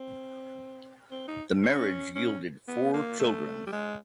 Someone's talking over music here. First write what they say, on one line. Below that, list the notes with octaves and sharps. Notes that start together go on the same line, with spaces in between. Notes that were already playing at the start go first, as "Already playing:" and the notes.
The marriage yielded four children.
Already playing: C4
C4
D#4
C#4
C#4
B3
A#3
A3
G3
G#3